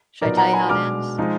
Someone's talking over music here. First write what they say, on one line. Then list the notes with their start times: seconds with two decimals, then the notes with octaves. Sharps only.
should I tell you how it ends?
0.21 A#2 F#3 B3 D#4 A#4 D5
0.37 F#5 A#5
0.53 G#5 B5
0.69 B2 G#3 D4 D6 F6
1.18 F3 G#3 D#4